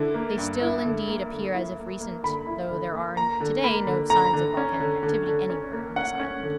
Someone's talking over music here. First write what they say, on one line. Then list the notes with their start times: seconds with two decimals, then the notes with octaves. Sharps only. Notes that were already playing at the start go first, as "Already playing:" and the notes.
They still, indeed, appear as if recent, though there are to-day no signs of volcanic activity anywhere on this island.
Already playing: D3 E4
0.14 A#3
0.38 G2
0.61 E4
0.85 D3
1.08 A#3
1.31 D3
1.54 E4
1.78 A#3
2.01 A#3
2.24 D3 B5
2.46 E4
2.70 D3
2.93 A#3
3.17 A#3 A#5
3.41 D3
3.63 A#3 B5
3.87 D3
4.10 D3 A#5
4.33 D3
4.57 C#4
4.80 D3
5.03 D3
5.27 D3
5.50 C#4
5.73 A#3
5.96 C#4 F#5
6.19 C#4
6.43 D3